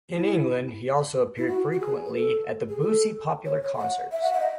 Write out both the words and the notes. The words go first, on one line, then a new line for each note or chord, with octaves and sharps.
In England he also appeared frequently at the Boosey popular Concerts.
E4
E4
F#4
F#4
G#4
B4
A4
G#4
A4
C#5
C#5
E5
F#5
E5
F#5
E5
D#5